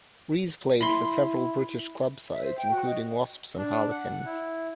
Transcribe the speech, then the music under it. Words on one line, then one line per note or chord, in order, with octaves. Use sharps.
Rees played for several British club sides, including Wasps and Harlequins.
E4 B5 C6
E5
C5
G5
F#4
D#5
D4
F#5
E4